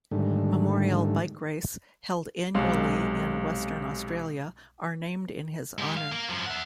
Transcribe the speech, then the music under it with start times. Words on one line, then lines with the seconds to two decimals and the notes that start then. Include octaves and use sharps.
Memorial Bike Race, held annually in Western Australia, are named in his honour.
0.11 G#2 D3 D#3 G3 A3
2.55 B1 C3 G#3 F5 C6
5.79 G#3 G4
5.97 F5
6.12 A#3
6.30 F#2 F3
6.46 E5 F#5